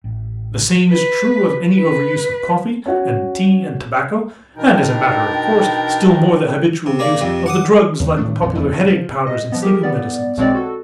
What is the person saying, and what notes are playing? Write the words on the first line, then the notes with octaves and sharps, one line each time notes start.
The same is true of any overuse of coffee and tea and tobacco, and as a matter of course still more the habitual use of the drugs like the popular headache powders and sleeping medicines.
A1
B4
B4
C#4 F#4
B2 E3 D4 D#4 A#4 G5
C3
A#3 G#4 D5
F2 C3
F#5 D6 D#6
D#2
A2 D#3 A3 D4
A#1 F2 A#2 D3
F1 E2 E3 F3
G2 C3
F3
D#5
F3 B3 D#5
G4 G#4 A#4
B3 D5
B1 B2 G#3 C4 C#5 D5
F#4 A4